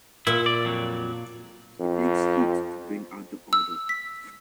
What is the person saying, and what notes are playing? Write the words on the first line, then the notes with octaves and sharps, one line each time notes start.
It takes heat to bring out the odor.
A#2 E4
D5
F2 F#3
F2
E6
B6